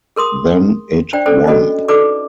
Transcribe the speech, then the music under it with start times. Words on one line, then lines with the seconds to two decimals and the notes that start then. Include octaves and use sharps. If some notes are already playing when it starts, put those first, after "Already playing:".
Then it won'.
0.16 G#4 A#4 C6 D#6
1.13 D4 C5 D5 G5
1.26 C#4 A4 C5 D5
1.47 D4 F#4 A4 D#5
1.88 D#4 A4 B4 D5 D6